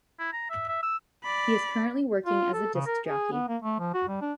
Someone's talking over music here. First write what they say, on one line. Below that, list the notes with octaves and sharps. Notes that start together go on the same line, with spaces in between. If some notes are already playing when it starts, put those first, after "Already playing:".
He is currently working as a disc jockey.
E4
A#5
E5
E5
E6
D5 B5
F4
A4
C#3
A#4
G#4
B3
A#3
A3
F3
F#4
G3
D4